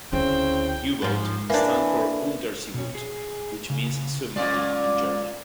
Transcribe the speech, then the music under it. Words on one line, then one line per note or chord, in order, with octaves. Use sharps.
U-boat stands for Unterseeboot, which means submarine in German.
D2 C#3 C4 E4 G5
G#2 F3
E3 A#3 D4
B2 C#5
G#4
C#3
A#2 G#3 C#4 F4 D5